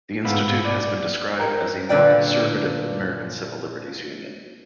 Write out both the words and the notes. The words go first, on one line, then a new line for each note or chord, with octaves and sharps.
The institute has been described as a more conservative American Civil Liberties Union.
G#2 B3 G#4 F5 B5 E6
D5
A#4 G5 A#5
A#2 D3 B4 D5 G5